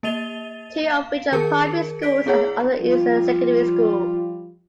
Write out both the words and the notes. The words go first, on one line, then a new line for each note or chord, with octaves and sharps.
Two of which are primary schools and the other is a secondary school.
A#3 D#5 A6 D#7 F7 G7
F5
D#3 G#4 A#4 A5 C#7
D5 B6 D7
B3 E4 G#4 C#5 F#5
F3 G3 F4